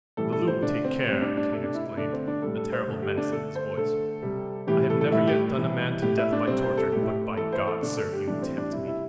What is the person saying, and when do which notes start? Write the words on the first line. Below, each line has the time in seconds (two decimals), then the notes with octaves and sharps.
"Le Loup, take care!" Kane exclaimed, a terrible menace in his voice, "I have never yet done a man to death by torture, but by God, sir, you tempt me!"
0.17 A2 E3 G3 A4
0.33 A4
0.47 C5
0.62 D3 A3 D4
0.84 C4
1.07 A2 G3 C4
1.22 D4
1.37 D4
1.52 C3 A3 A4
1.64 D4
1.75 E4
1.86 E4
1.97 D3 A3 D4
2.13 C4
2.28 D4
2.42 A2 G3 A4
2.57 A4
2.72 C5
2.87 D3 A3
3.02 G4
3.17 D4
3.32 D3 A3 A4
3.55 C5
3.77 D3 A3 A4
4.22 C3 G3
4.67 A2 E3 G3 G4
4.90 A4
5.01 A4
5.12 A2 G3 E4
5.27 G4
5.58 C3 E3 G3
6.02 A2 A3 G4
6.18 E4
6.32 D4
6.47 C3 G3 C4
6.62 C5
6.78 A4
6.92 A2 A3 G4
7.03 E4
7.08 G4
7.37 A2 E3 A3 A4
7.53 C5
7.67 A4
7.82 D3 A3 D4
7.97 A4
8.13 G4
8.27 A2 E3 G3 D4
8.42 C4
8.57 D4
8.72 C3 G3 E4
8.87 E4